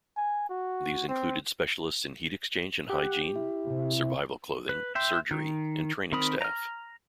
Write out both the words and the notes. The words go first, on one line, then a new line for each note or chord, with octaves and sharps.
These included specialists in heat exchange and hygiene, survival clothing, surgery, and training staff.
G#5
F#4
C4
G4 F#5
E4
C3
B4
E5 G5 C6
D#3
D#3 C4 A#4 B5 D#6
A#5 F6